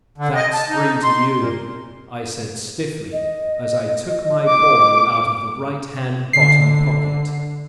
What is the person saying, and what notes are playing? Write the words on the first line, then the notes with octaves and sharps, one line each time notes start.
"That's three to you," I said stiffly, as I took my ball out of the right-hand bottom pocket.
D3
D#5
A5
D#4
C6
A#2
D#5
D6
D3 C7